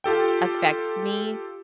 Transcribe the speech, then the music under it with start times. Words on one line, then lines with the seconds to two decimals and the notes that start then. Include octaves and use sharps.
affects me,
0.04 F4 G4 A4 G5